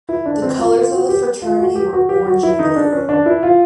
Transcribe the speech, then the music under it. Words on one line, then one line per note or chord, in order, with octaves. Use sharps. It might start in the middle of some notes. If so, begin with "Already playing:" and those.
The colors of the Fraternity were orange and blue.
E4
D4
C4
F4
F4
F#4
G4
F4
F#4
G4
F#4
G4
F#4
E4
D#4
D4
C#4
D4
E4
F4